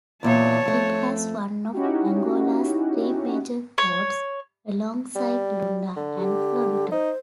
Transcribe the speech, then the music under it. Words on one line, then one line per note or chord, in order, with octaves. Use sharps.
It has one of Angola's three major ports, alongside Luanda and Lobito.
E2 A#2 C#5 E5 A5
F2 A3
C#4 D#4 E4 F#4 G4
C#5
G3
D3
G4
D#4 C5